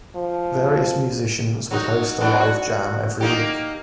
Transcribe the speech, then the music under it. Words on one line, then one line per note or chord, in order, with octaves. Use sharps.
Various musicians would host the live jam every week.
F3
F#3 D#4 F#4
B2 F#3 D4
F#4
A#3 D#4 G4